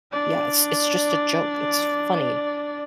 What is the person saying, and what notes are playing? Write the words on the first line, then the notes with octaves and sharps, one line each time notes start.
Yeah, it's it's just a joke; it's funny,
D4 D5